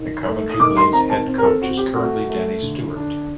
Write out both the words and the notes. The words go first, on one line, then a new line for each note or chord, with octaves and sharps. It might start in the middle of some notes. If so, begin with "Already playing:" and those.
The Coventry Blaze head coach is currently Danny Stewart.
Already playing: D#3
A3
D#6
D#3 D6
C6
C4 A#5
A5
C4
A#4
A4
C4 F#4
G4
A3 F#4
A3
D3
D4